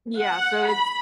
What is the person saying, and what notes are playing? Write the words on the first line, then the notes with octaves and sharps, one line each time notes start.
Yeah, so it's
F#5
B5